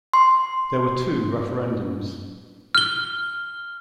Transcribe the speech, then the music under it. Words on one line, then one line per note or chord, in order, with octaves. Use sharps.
There were two referendums.
C6
F6 G7